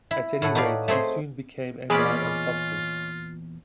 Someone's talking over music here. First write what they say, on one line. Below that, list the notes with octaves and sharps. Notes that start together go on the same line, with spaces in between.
At any rate, he soon became a man of substance.
E4 B5
A2 E4 A4 F#5
D#4 F#4 B4 C#5 D5 F5
A3 C4 G#4 C5 D#5
E2 A#2 G#3 C#4 F4 G#4 B5 D6